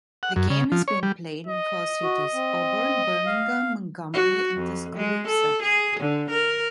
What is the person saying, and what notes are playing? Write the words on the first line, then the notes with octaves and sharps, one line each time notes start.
The game has been played in four cities: Auburn, Birmingham, Montgomery, and Tuscaloosa.
F#5
F#2
C#3
F3
C#5
G3
D#5
F#4
C4
F5
F#4
F2
G#3
A4
G#4
D3
A#4